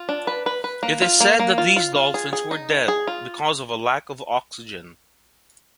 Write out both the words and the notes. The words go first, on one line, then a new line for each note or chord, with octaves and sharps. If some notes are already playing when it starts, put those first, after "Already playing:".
It is said that these Dolphins were dead because of a lack of oxygen.
Already playing: F4
D4
B4
B4
B4
A#3
F4
A#3
A#3
F4
F4
F4
G#4
G#4
D#4
D#3
G#4
F4